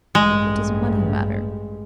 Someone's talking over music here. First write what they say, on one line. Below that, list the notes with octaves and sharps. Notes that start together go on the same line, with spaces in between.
What does money matter?
A1 G2 G#3